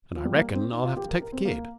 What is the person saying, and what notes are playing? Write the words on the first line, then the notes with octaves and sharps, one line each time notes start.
And I reckon I'll have to take the kid.
F3
G3
A#3
C4
D#4
F4
G4
A#4
A#4
C4
A#3